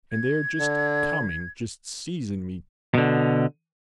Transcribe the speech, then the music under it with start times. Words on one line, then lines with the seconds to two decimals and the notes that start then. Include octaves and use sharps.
And they are just coming, just seizing me.
0.11 G#6
0.58 D3
2.94 B2 D3